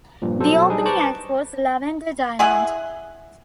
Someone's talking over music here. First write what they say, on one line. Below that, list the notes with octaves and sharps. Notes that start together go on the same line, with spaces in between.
The opening act was Lavender Diamond.
G2 A#2 F3
B2 F#3 A4 C5
G3 D4 D#4 G#4
B4 C5 A5 A#5 C#6 D6
E4 G#4 E5 F#5